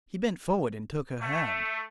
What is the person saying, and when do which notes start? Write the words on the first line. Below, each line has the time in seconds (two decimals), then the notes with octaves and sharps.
He bent forward and took her hand.
1.20 A3